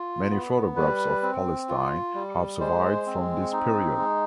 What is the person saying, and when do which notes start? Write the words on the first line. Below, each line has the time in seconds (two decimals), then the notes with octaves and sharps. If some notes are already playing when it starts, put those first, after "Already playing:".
Many photographs of Palestine have survived from this period.
Already playing: F4
0.31 B3
0.76 G3 B4
1.23 C4
1.69 F4
2.15 G3
2.60 G#3 C5
3.06 C4
3.53 D#4
3.98 G#3